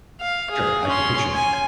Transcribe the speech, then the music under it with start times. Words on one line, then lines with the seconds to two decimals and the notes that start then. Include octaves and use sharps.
Sure, I can picture it.
0.20 F5
0.51 G#4
0.87 C#4 C6
1.34 G#5